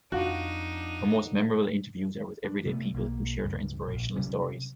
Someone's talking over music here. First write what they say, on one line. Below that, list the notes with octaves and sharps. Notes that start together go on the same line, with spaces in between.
Her most memorable interviews are with everyday people who share their inspirational stories.
F2 D4 D#4 F4 F#4
D4
C3 A3 B3
B1 A#3
C#2 G2
A#1
C3 F#3 G3 C#4